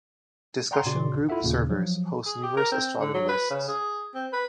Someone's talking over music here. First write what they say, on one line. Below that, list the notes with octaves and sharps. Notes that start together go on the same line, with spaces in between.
Discussion group servers host numerous astronomy lists.
D5 F#5 G5 A#5 C6
A#2 C#3 F#4 D5 C6
E4 F4 A4 E5 F#5
D#2 A#2 C#3
F3 F#3
G#4
G4
A#4
C4
D3
F#3
B4
C#3
G#4
C4
B4